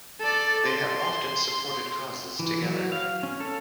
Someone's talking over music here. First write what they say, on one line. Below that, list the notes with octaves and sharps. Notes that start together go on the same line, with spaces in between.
They have often supported causes together.
A4 D5
C6
E3
F#3
F5
C#4
A4